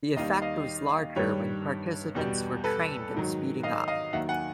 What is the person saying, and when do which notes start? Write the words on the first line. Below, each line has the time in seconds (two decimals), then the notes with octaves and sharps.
The effect was larger when participants were trained in speeding up.
0.16 D#2 D#3 G3 D#5 F5
0.42 D#5 F5
1.16 G2 D#3 G3 B4 C#5
2.15 E2 B2 G3
2.64 A4 B4
3.14 G#2 D#3 F#3
3.63 D#5 F5
3.88 D#5 F5
4.13 D#2 D#3 F#3 E5 F#5
4.29 F#5 G#5